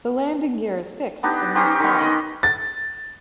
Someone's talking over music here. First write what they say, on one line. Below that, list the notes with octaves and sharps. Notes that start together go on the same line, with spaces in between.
The landing gear is fixed and unsprung.
B3 D4 D#4 G4
C#4 D#4 G4 C5
D#3 B3
D#5 B5 C6
A6